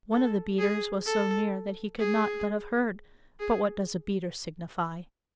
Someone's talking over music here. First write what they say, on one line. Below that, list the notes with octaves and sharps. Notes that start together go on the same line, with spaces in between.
One of the beaters was so near that he could not but have heard;--but what does a beater signify?
A4
G#4
A4
G#4
G#4